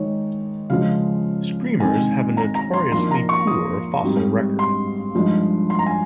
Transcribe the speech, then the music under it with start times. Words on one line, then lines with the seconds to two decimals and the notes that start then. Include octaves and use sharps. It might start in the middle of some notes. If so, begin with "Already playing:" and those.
Screamers have a notoriously poor fossil record.
Already playing: D#3 G#3 D#4 C#5
0.70 C#3 F3 G#3 F5
1.80 D#3 G#3 C4 D#4 G#5
2.37 A#5
2.55 A#5
2.73 C6
2.92 A#2 F3 A#3 D#4 C6
3.11 A#5
3.29 C#6
3.47 D#6
4.03 G#2 G3 C4 D#4
4.59 C6
5.15 G2 F3 G#3 D#4
5.70 C6
5.79 A#5
5.86 G#5